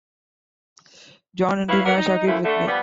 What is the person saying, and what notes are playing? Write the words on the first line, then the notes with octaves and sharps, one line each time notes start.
John Henry Nash agreed with me.
E4 B4 C#5 F5
F#3 A#3 A#4 B4 F#5
D#4
F#2 F3 A3 E4
D3 A3
F3 G3 B3